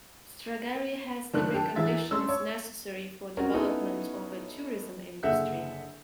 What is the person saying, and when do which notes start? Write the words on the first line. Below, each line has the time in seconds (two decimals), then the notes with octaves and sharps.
Stragari has the preconditions necessary for development of a tourism industry.
1.34 F#1 D#3 A3 D4 F#6
1.54 G4 A4
1.76 E2 E3 G#4 E5 A6
2.11 A3 C#4 C6 E6
2.29 C#5
3.37 C4 C#4 F#4 A#4
3.54 B3 C#4 D#4 E4 A4 B4
5.23 F#1 D3 G#4 E5 F#5 G6